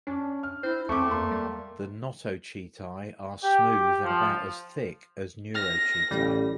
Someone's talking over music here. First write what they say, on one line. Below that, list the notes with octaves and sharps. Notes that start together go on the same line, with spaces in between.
The notochaetae are smooth and about as thick as neurochaetae.
C#4 D4
F6
E4 C5
E2 A3 C4 C#6 D6
A#3 C6
G3
G4
F3
F6 A#6
A1 G3